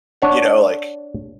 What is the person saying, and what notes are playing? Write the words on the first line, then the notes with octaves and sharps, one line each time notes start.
you know, like,
D4 C#5 F#5